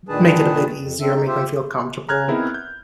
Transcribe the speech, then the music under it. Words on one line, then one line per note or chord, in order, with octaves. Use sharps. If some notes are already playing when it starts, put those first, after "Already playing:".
make it a bit easier, make them feel comfortable.
A#2 D#3 D4 G#4 B4 A5
F2
C4 D4 E5
D#4
F4 G4 C5 E5
A#5 F6 F#6 G#6
B3 C4 D#4 E4 A#4
G6